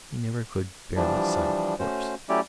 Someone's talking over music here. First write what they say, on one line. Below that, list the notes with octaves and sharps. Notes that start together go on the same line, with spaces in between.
He never could bear the sight of a corpse.
E3 F3 G3 D4
A3 C#4 F#4 C5
F#3 A3 C#4 E4 G4 D5